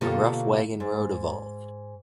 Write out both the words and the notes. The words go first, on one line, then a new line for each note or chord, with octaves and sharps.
A rough wagon road evolved.
B2 D3 A#3 F4 G4 A4
G#2